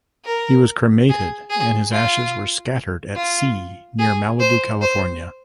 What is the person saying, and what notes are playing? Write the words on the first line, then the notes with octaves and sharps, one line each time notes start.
He was cremated and his ashes were "scattered" at sea near Malibu, California.
A#4
G#4
G#4
F4
F4
G#4
C5
C5